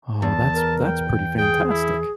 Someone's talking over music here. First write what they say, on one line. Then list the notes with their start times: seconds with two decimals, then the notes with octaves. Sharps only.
Oh, that's that's pretty fantastic.
0.22 E2 A5
0.54 A#4
0.85 G5
1.37 G#4 G5
1.70 E4